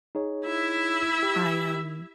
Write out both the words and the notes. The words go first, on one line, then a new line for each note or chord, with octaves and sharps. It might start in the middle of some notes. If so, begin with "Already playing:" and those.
I, um
D#4 G#4 C#5
E4 E5
G4